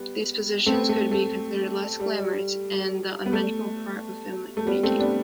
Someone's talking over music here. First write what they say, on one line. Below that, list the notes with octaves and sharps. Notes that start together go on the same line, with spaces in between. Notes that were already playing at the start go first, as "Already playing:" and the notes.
These positions could be considered "less glamorous", and the unmentionable part of filmmaking.
Already playing: G3 B3
A3 C4
A3
A3
G3
G3
B3
A3
A3
G3 B3
A3 C4
B3 D4